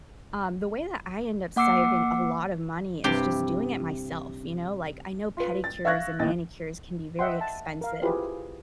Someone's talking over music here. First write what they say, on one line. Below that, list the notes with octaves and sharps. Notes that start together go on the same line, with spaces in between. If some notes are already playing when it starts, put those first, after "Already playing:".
um, the way that I end up saving a lotta money is just doing it myself, you know, like, I know pedicures and manicures can be very expensive,
A#3 F#5 D6 E6 C7 C#7
G2 C3 E4 G4 G5 C6
F4 B4
A6
E5 F5 C#6 F#6 G#6 A#6
A1 D#2 D#5 A6
D#5 E5 F#5 G5 C6
A5
A#4 F5
E4 F4 G4 G#4 B4 C5